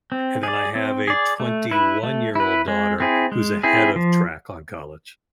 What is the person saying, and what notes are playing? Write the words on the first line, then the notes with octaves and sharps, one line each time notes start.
and then I have a twenty-one-year-old daughter who's ahead of track on college.
C4
G#4 D5
C4
G#4 D5
A3
E4 B4
A3
E4 B4
G#3
C4 E4 G#4
G#3
C4 E4 G#4
F3